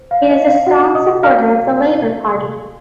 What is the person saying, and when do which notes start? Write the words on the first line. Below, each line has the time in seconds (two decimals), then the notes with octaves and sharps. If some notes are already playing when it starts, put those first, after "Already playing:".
He is a strong supporter of the Labour Party.
Already playing: C5
0.11 C#5 F5
0.29 D#5
0.38 D#4
0.48 F5
0.66 F#4 F#5
0.95 C#5 D#5 D#6
1.23 A#4 F5 F6